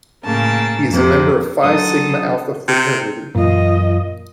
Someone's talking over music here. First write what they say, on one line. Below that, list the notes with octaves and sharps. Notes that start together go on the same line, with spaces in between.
He is a member of Phi Sigma Alpha Fraternity.
A2 C#3 A#3 A5
F2 C3
F#3 D4 A4 C5 D#6
C3
F#2 A#2 E3 F4 D#5